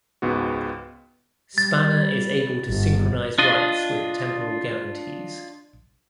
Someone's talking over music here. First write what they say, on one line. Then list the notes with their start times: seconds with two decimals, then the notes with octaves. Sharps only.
Spanner is able to synchronize writes with temporal guarantees.
0.22 C#2 G#2 B3 F#4
1.58 G3 A6
2.68 G1
3.38 D4 F4 D#5